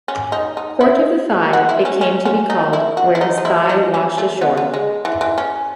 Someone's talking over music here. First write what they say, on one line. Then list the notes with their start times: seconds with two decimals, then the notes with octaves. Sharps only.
"Port of the Thigh" it came to be called where his thigh washed ashore.
0.08 C#4
0.32 D#4
0.57 D#4
0.80 E4
1.53 F#4
1.69 E4
1.85 C#4
2.01 C#4
2.25 C#4
2.50 D#4
2.73 E4
2.97 F#4
3.15 E4
3.21 D#4
3.38 D#4
3.45 E4
3.69 D#4
3.94 C#4
4.18 A3
4.41 B3
4.57 B3
4.74 G#3
5.05 E3
5.21 E3
5.38 C#4